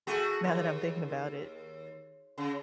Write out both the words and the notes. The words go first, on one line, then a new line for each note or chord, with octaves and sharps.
Now that I'm thinking about it.
A3 F#4 G#4
D#2
C#3